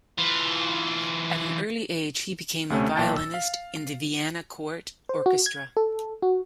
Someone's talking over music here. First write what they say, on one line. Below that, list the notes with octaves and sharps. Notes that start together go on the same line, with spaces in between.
At an early age he became a violinist in the Vienna court orchestra.
E3 F4
D2 C3 A3 C#4
B1 A#2 G5 A5 C#6 A6
E6
F5
C5
F#4
G#6
A4
F#4